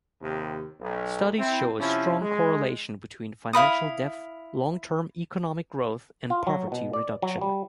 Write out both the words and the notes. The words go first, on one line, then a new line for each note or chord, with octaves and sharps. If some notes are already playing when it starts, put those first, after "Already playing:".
Studies show a strong correlation between financial depth, long-term economic growth and poverty reduction.
D#2 C3
B1
C4 E4
C3 F3 C#4 E4
G#3
E4 F5 B5 D#6
F4
F#3
B2
D5
F#3
G3